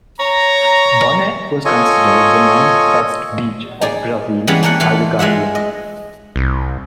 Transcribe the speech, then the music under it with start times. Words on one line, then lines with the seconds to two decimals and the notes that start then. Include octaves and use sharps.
Bonete was considered the ninth best beach of Brazil by "The Guardian".
0.20 C#5 A#5
1.65 F4 A4 C#5 D#5 G#5 C#6
3.81 D#4 G#4 D5
4.47 C#3 E3 G3 G#3 B3 C#4
4.63 A3 A#3 A#4 D5 F#5
4.80 E3 A3 F4 F#5 C6
5.19 G#3 F4 E5 F#5
5.55 D#5
6.36 C2